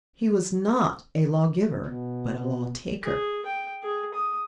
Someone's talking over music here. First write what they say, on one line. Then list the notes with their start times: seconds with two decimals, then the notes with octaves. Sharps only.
He was not a law-giver, but a law-taker.
1.86 B2
3.03 G#4
3.46 G5
3.83 G#4
4.14 D#6